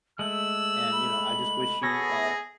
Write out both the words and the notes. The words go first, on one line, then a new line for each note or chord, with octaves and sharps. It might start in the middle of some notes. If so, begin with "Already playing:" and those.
and, you know, I just wish you, uh,
G#3 A3 E6 F#7
B5
B3 G#4 A4 C#5 A#6